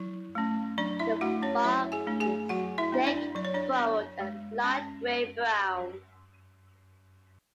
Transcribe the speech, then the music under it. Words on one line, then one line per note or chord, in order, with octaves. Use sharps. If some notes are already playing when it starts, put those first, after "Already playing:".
The bark is thick, furrowed, and light gray-brown.
Already playing: F#3 E4
A3 C#4
F#3 D4 D5
E4 E5
A3 D4 F#4 F#5
C#4 C#5
F#3 E4 E5
G#4 G#5
A3 D4
G#4 G#5
F#3 F#4 F#5
E4 E5
B3 D4
D4 D5
F#3 D5
C#5
D4 D5
B3 D4
G#3
C#4